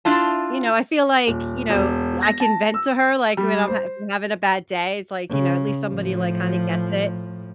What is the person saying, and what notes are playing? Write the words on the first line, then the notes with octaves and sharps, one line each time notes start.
you know, I feel like, you know, I can vent to her, like, when I'm hav I'm having a bad day. It's like, you know, at least somebody, like, kinda gets it.
D4 E4 F4 A5
D#1
E1
A#6
A5
E6
G3
C5
C#3
A2 F3